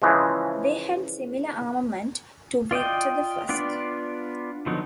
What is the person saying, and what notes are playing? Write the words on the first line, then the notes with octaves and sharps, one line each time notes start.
They had similar armament to "Victor the First".
C#3 E3 F3 G#3
F4 D5 D#5 G5
B3 D4 F4 D5
D3 F3 F#3 B3 D#4